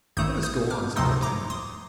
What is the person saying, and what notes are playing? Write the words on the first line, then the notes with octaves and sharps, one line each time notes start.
"Let us go on," said D'Artagnan.
A1 G2 D#3 A3 D#6 G6
D#6 G6
D6 F6
D2 C3 F3 A3 D#4 C6 D#6
A#5 D6
C6 D#6